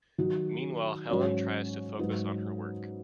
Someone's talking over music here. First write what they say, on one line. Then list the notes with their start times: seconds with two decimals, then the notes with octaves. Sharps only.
Meanwhile, Helen tries to focus on her work.
0.18 D#3 F#3 D#4 F#4
1.09 G#2 F#3 C#4 F#4 C#5
1.99 G#2 F#3 D#4 B4